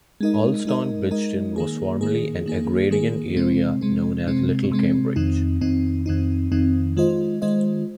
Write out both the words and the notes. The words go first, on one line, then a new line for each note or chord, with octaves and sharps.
Allston-Brighton was formerly an agrarian area known as Little Cambridge.
G#3 D#4 A#4 D#5
G#3 D#4 A#4 D#5
G#3 D#4 A#4 D#5
D#3 A#3 G#4
D#3 A#3 G#4
D#3 A#3 G#4
D#3 A#3 G#4
C3 G#3 C4
C3 G#3 C4
C3 G#3 C4
C3 G#3 C4
F2 D#3 C4 D#4
F2 D#3 C4 D#4
F2 D#3 C4 D#4
F2 D#3 C4 D#4
D#3 G#3 F4 C5 D#5
D#3 G#3 F4 C5 D#5